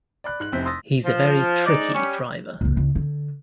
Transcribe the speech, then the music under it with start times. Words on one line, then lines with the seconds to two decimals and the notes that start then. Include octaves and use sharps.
He's a very tricky driver.
0.24 D5 B5 F#6
0.40 G#2 F#6 F#7
0.52 F1 C3 C4 E4 G6 B6
0.65 C6 D#6 E6 A6 A#6
1.04 F3
1.66 G#2 D#4 D5
1.94 G3 C#4
2.61 F#1 C#2
2.77 C#2
2.95 D3